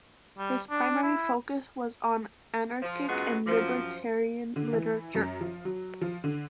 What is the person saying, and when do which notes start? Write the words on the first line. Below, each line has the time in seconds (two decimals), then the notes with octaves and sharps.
His primary focus was on anarchic and libertarian literature.
0.38 G3
0.70 D4
1.02 E4
2.82 F3
3.08 F#2 G#3 B3 F4 F#4
3.46 F#2 F3
4.56 D3
4.73 E3
5.15 F#2
5.41 F3
5.65 F#3
6.01 F3
6.24 D3